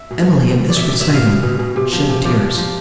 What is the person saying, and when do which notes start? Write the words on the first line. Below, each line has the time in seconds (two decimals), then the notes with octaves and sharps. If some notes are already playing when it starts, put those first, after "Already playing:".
Emily, at this recital, shed tears.
Already playing: E5
0.11 B2
0.27 B2
0.43 B2
0.61 B2
0.70 D5
0.76 B2 E5
0.89 B2 D5
1.01 E5
1.09 B2 F5
1.26 B2
1.43 B2
1.59 B2
1.76 C3
1.92 F3
2.09 C3
2.25 F3 D5
2.42 C3
2.58 F3